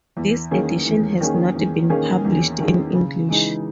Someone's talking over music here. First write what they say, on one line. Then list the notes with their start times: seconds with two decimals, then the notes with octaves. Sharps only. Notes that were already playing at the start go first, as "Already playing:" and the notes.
This Edition has not been published in English.
0.17 E2
0.51 D#3 A#3 C#4 G#4
0.86 E2
1.21 D#3 A#3 C#4 G#4
1.55 E2
1.90 D#3 A#3 C#4 G#4
2.25 E2
2.60 D#3 A#3 C#4 G#4
2.94 C#3
3.29 E3 G#3 D#4 G#4